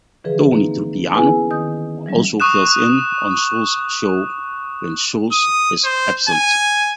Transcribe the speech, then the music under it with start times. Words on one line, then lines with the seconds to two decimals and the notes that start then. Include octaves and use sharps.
Tony Trupiano also fills in on Schultz's show when Schultz is absent.
0.24 D3 E3 F3 G#4 B4
0.52 A#3 C4 D#4
1.14 B3 C#4 E4 G#4 B4 G#5
1.51 D#3 D#6 G6
2.06 E3 F#3 G3 C#4
2.40 C#6 D#6 F#6 E7
5.32 D#6
5.84 C5
6.29 G#5